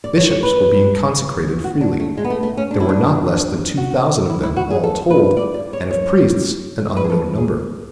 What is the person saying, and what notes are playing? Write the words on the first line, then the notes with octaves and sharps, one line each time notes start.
Bishops were being consecrated freely; there were not less than two thousand of them all told, and of priests an unknown number.
D5
C#5
C#5
B4
F#4
D4
A3
G#3
B3
A3
A3
C#4
D4
E4
D4
F#4
E4
E4
F#4
G#4
A4
B4
D5
D5
C#5
C#5
B4
G#4
A4
G#4